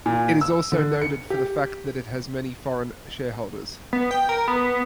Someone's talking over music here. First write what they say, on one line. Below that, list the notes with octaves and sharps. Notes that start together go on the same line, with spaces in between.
It is also noted for the fact that it has many foreign shareholders.
A#2
E6
D3
C#7
G4
B3
G5
A#4
B3